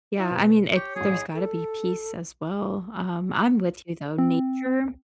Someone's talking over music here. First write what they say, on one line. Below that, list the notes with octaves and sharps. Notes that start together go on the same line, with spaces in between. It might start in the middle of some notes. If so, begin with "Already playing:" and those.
Yeah, I mean, it's there's gotta be peace, as well. Um, I'm with you, though, nature,
E4
B2
G4 C#5
A1 F#3 G#4
A4
C4